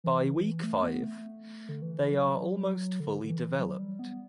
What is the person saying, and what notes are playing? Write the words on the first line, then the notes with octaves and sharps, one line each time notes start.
By week five, they are almost fully developed.
E3
A3
B3
A3
D3
E3
F#3
D3
D3
E3
F#3
G3
B3